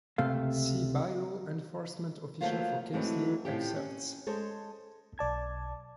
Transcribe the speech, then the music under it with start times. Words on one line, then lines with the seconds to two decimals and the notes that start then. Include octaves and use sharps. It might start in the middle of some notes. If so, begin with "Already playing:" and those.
See Bylaw Enforcement Officer for case-law excerpts.
0.18 C#2 C3 A3 F5
2.41 D#3 F3 F#3 A3 A#3 F4
2.93 E3 F#3 G#3 A3 C4 D4
3.45 A2 C3 F3 A3 C#4 G4
3.76 C#4
4.26 G#3 A4 C5 C#5
5.18 B1 D5 A5 G#6